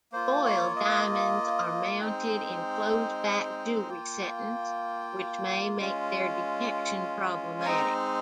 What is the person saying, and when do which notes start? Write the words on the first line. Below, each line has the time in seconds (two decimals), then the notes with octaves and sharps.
Foiled diamonds are mounted in closed-back jewelry settings, which may make their detection problematic.
0.12 A#3 F4 C5
0.45 C#5
0.76 D#5
2.01 G#3 C4 D#4 G5
3.89 A#3 F4 G5
5.78 G#3 C#4 F4
7.61 G#5
7.66 G#3 C4 D#4 A#5